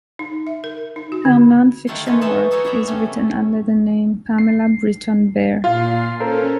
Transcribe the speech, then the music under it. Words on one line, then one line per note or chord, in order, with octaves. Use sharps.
Her non-fiction work is written under the name Pamela Britton-Baer.
D#4
E5
A#4
D#4
F#4
D3
D3 D#3 A3 F4 F#5 C6
G#3 A3 D#4 B4 C#5
E3 B3 D#4 A4 C#5 A5
D#4 E4 F#4 A4 C#5 D#5
F#2 D4 E5 A#5 B5
C3 A3 C#4
C7
A#2 F4 F5 C7
C#4 A4 A#4 C5